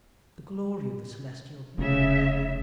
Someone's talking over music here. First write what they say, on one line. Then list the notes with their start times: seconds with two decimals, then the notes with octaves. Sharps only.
The glory of the celestial blue!
1.78 F1 C#3 E5